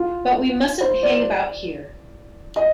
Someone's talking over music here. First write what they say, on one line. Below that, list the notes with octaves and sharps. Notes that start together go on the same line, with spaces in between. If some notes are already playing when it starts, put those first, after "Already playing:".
But we mustn't hang about here.
Already playing: F4
C5
D5
D#5